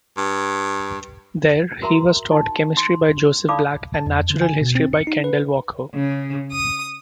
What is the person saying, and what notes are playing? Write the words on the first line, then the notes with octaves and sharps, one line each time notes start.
There he was taught chemistry by Joseph Black and natural history by Kendall Walker.
G2
F#4 A#4 E5 A#5 C6
D#4
C6
D#4 A4 D5 F5 B5 D6
A5
F2
D3
G#5
B2
C4
C#7
D#4
B4
C#3
D#6